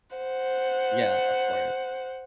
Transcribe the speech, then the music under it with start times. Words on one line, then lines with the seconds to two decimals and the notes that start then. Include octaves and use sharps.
Yeah. Of course.
0.16 C5 F#5